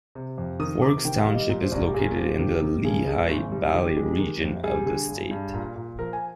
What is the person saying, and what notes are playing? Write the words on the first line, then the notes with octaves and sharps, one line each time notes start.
Forks Township is located in the Lehigh Valley region of the state.
C3
F2
D#3 D#6
C3 D6
D#3 G5
F5
G3
D#5
A#2
C5
C2 D5
G4
A#2 G#4
F3 G4
D#3 G4
D#3
G2 G#4
G#3
G#1
G3
D#3 G4
G#3
D#3
F2
G3 G#4
D3 G#4
G2
G2
A#2
A#2
F3 A#4
G#5